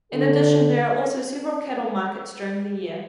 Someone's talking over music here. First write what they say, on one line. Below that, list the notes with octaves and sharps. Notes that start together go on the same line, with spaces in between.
In addition, there are also several cattle markets during the year.
D3